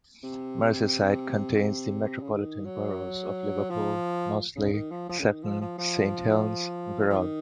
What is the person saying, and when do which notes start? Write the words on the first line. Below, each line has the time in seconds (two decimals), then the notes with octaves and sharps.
Merseyside contains the metropolitan boroughs of Liverpool, Knowsley, Sefton, Saint Helens and Wirral.
0.23 C3
2.22 C#3
2.31 D#3
2.65 F#3
3.70 F3
4.56 C#3
4.73 D#3
4.91 F3
5.09 F3
5.19 C#3
5.26 D#3
5.43 F3
5.61 F3
5.78 F3
7.10 F3
7.17 D#3